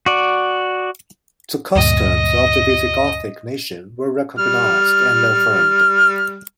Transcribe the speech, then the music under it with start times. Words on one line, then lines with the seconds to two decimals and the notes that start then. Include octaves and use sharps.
The customs of the Visigothic nation were recognised and affirmed.
0.06 F#4 D5
1.75 D2 G2 A#2 D#5
4.39 G3 F6